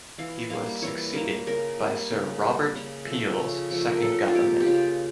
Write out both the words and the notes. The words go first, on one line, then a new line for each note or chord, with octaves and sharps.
He was succeeded by Sir Robert Peel's second government.
E3 F5
G3 A#3 F5
E3 C#5
G3 A#3 A#4
C#3 A#4
G3 A#3
C#3
G3 A#3
C#3
F3 A3
C#3
F3 A3
A#4
C#3 A4
F4
F3 A#3 G4
G4
C#3 F4